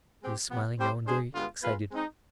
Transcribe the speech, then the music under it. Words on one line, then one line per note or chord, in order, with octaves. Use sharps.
He was smiling now and very excited.
G#3 C4 G4
C3 F3 B3
G3 C4 G4 C5
G#3 D4 G#4 C5
G2 D3 G#3 B3 F4
G#3 B3 F4 B4
G#3 C4 D#4